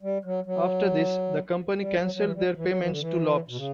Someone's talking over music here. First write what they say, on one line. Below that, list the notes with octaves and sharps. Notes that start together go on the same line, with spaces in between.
After this, the company canceled their payments to Iops.
G3
F#3
F#3
G3
F#3
F#3
E3
G3
E3
F#3
E3
D3
E3
B2
C#3